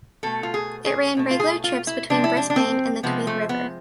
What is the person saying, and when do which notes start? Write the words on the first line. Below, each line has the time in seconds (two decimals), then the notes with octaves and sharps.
It ran regular trips between Brisbane and the Tweed River.
0.23 B2 A3 A4
0.43 F4
0.54 G#4
0.86 G#4
1.17 B2 A3
1.31 F4
1.40 G#4
1.64 F4
1.87 E4
2.10 C3 F3 G#3 D4
2.24 E4
2.37 D4
2.50 D4
2.56 C4
3.03 C3 F3 G#3 B3
3.27 A3
3.49 B3